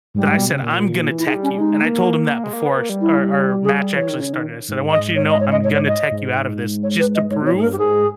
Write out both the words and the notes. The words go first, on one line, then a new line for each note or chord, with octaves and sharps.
that I said, "I'm gonna tech you." And I told him that before our s our our match actually started. I said, "I want you to know I'm gonna tech you out of this, just to prove
G#2 G3
G#2
B2
C#3
A#2
E3
E4
G#3 D#4
G3
C#4
G#3 D#4
A#3
G#3
A#3
B3
A#3
G3
E4
G4
G#4
E3 C#5
D#3
C#3
D#3
G#2
D#5
C#5
D#5
C#5
D#5
C#5
C#5
D#5
G#2
C#5
B4
D#5
G#2 C#5
B2 C#5
G#2 G#4
A#4
G2
G4
G#2 G#4